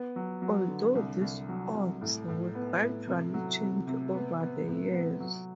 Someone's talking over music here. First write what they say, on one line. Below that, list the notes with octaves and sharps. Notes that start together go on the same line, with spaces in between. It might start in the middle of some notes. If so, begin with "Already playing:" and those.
Although these oaths were gradually changed over the years.
Already playing: B3
F#3
F#3
D3
C2
C2
F#3
C2
A2
A2
B3
A2
C3
F#3
C3
C3
B3
B3
A2
B3
F#3